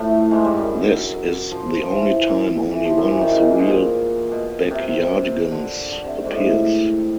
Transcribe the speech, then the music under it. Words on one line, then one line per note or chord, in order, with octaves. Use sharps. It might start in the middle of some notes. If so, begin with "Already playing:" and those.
This is the only time only one of the real Backyardigans appears.
Already playing: A2 F3 A3
G#2 G#3
G2 G3
F#2 F#3
F3
F3
E3
E3
F3
F#2 F#3
E3
D#3
C#3
C3
A#2
B2
A#2
B2
C3
D3
D3
C3
G#2
A2